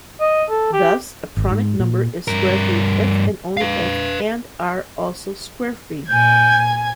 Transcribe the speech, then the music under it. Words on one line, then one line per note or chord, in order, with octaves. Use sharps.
Thus a pronic number is squarefree if and only if and are also squarefree.
D#5
A4
G4
G#1
G#2
A#2
G2 A#4
B4 F5
A#2 G#5 G6 G#6